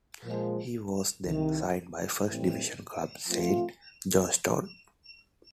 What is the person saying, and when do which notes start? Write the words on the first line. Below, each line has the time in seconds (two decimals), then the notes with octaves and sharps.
He was then signed by First Division club Saint Johnstone.
0.24 A#2 F3 G#3
1.25 C2 C3 D#3
2.26 A2 E3 G3 C4
3.28 F3 A3 C4 F4